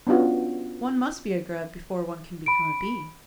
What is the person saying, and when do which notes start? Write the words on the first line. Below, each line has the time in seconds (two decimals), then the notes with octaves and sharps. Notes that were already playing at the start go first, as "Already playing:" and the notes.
One must be a Grub before one can become a Bee.
0.07 B3 C#4 D4 F4 F#4
2.46 B5 D7